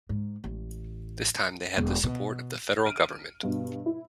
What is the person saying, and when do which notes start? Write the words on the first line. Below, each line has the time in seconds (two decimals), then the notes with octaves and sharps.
This time they had the support of the Federal Government.
0.09 G#2
0.44 A1
1.78 E1
2.03 B2
2.85 F6 D7 D#7
3.43 G2 B2
3.86 E4